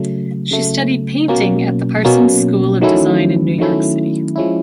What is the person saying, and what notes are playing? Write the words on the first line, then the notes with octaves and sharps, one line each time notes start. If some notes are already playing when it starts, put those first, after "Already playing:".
She studied painting at the Parsons School of Design in New York City.
Already playing: C#3 F#3 A3
C#3 F#3 A3
B2 F#3 A#3 C#4
B2 F#3 A#3 C#4
D#3 F#3 A3 C#4 E4
D#3 F#3 A3 C#4 E4
F3 G#3 C#4 E4